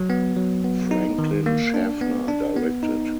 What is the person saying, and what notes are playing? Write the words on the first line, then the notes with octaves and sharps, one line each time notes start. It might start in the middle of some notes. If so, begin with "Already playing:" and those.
Franklin Schaffner directed.
Already playing: F#3
B3
F#3
B3
D#4
D#3
A#3
D4
B3
D4
B3
D#4